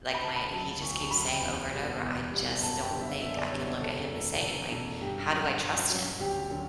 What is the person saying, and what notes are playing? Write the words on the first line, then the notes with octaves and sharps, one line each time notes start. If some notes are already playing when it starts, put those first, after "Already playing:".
like, my he just keeps saying over and over, "I just don't think I can look at him the same, like, how do I trust him?"
B5
D2 A5
B5
C#3 F#3 A5
A5
D2 C#6
C#6
C#3 F#3 B5
G5
E2
B2 G3 B3
E2
B2 G3 B3
F#2 A5
G5
D3 G3 B3
E5
F#2 E5
D5
D3 G3 B3 C#5
C#5
E1 A4
E2 B2 A3 C#4
E1
E2 B2 A3 C#4
G2 G4
F#3 C#4
G2
F#3 C#4
D2 G4
D3 F#3 C#4